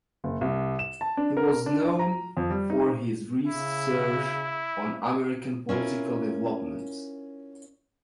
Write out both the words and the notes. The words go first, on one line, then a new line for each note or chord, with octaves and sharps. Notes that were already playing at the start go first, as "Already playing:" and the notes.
He was known for his research on American political development.
F#1
C2
E7
A5
D4
A#4
D4
A#5
F2
G3
D#4
C#3 E4
C#4 E4 F4 A#4